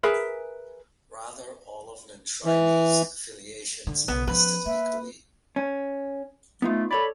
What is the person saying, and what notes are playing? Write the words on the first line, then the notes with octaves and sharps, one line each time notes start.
Rather, all of an enshrinee's affiliations are listed equally.
G#4 A#4 B4 E5
E3
D3
B1 C#3 B3
F3 C#4 B4
A#3 E5
C#4
A3 B3 D#4 F4
A4 C#5 D5 B5